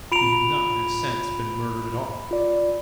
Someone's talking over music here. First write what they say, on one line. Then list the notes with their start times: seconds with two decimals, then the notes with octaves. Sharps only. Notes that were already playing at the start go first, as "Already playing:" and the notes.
He had not, in a sense, been murdered at all.
0.12 F4 A#5 B5 D7 F7
2.31 F4 D5